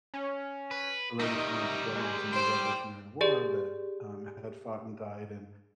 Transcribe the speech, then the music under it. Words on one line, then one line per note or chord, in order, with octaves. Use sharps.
related to one of the generals in the Revolutionary War that, um, had fought and died, and,
C#4
B4
G3 D#4 A#4 D#5 E5
G#3
C5 G5
G4 G#4 D5